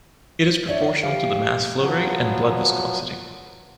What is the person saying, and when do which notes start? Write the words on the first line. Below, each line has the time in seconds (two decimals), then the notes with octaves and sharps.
It is proportional to the mass flow rate and blood viscosity.
0.67 D4 C#5 D5 E5
1.03 F3 G4 F5
1.80 F3 F#3 B3